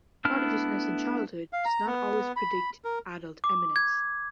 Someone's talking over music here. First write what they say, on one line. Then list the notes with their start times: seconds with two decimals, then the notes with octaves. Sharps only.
Prodigiousness in childhood does not always predict adult eminence.
0.25 A3 B3 D4 E4 F6
1.53 F5
1.65 A#5
1.86 B3
2.36 B5
2.84 A#4
3.44 D6
3.76 G#6